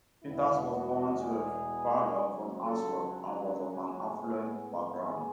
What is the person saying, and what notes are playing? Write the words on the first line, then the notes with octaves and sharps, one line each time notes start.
Peters was born to a father from Antwerp and was of an affluent background.
E2 B2 G#3 B3 E4
F#4
G#4
C#2 C#3 F#3
A4
G#4
G#4
A2 G#3 B3
G#4